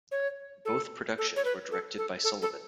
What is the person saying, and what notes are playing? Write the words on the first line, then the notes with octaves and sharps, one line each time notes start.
Both productions were directed by Sullivan.
C#5
A4
A4
C#5
B4
A4
A4
A4
A4